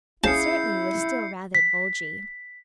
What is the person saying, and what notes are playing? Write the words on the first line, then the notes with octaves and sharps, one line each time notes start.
It certainly was still rather bulgy.
C#4 E4 G#4 F5 A5 G6 C7 C#7
B6